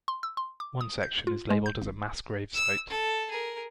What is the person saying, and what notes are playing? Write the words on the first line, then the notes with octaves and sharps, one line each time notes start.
One section is labelled as a Mass Grave site.
C6
E6
C6
D6
D#6
G6
F4
G#3
G6
G#1
E6
A4
G#4 A#4